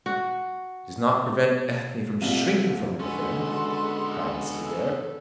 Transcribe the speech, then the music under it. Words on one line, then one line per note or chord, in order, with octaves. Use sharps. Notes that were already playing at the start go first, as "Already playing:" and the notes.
"It does not prevent Ethne from shrinking from her friend," cried Mrs. Adair.
F#4
C2 A3 C4 F4
D3 G#3 B3 C#4 F#4 A4 C6